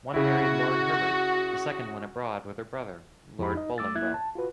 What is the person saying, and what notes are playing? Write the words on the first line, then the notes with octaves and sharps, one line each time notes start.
One married Lord Herbert, the second went abroad with her Brother, Lord Bolingbroke.
C#3 E4 F#4
F2 E4 G4 B5
D#4 D#5
A3 D6 E6 A6
A#3 E4 E5 F#6 G#6
A5
F4 F#4 B4